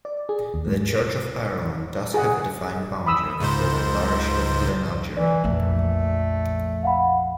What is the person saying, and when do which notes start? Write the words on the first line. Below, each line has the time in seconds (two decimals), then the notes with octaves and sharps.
The Church of Ireland does have a defined boundary for the Parish of Glenageary.
0.05 D5
0.29 G#4
0.54 D#2
0.67 G#2
2.14 G#4 F#5
3.06 B5 D#6 E6
3.40 C#2 G#2 C5
5.17 E3 D5
5.44 A#1 F2 A3
6.83 F5 F#5 B5